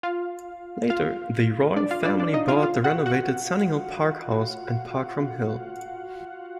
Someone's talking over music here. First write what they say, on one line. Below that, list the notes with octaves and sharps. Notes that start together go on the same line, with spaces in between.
Later the Royal Family bought the renovated Sunninghill Park house and park from Hill.
F4 F5
F4 F5
D4 D5
F4 F5
D4 D5
D4 D5
D#4 D#5
F4 F5
F4 F5
F#4 F#5
F#4 F#5